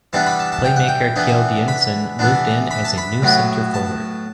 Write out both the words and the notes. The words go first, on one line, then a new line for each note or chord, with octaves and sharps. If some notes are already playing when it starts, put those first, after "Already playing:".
Playmaker Kjeld Jensen moved in as the new center forward.
E3 G3 B3 D4 A5
B5
A5
A5
G5
F#5
G5
E3 B3 D4
B5
E3 B3 D4
B5
A5
B5
A2 F#3 B3
A5